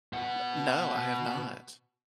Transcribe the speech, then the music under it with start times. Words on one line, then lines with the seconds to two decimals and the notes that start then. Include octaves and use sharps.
N no, I have not.
0.13 B2 F#5